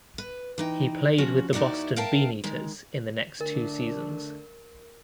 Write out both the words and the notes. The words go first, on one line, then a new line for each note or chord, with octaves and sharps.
He played with the Boston Beaneaters in the next two seasons.
B4
E3 D#4 G5
F3 C#4 F#4
D#2 D#4 E4 F#4 D5
A#4 E5 F5 G5 A5
D#3 G#3
D3 A3 D4 A#4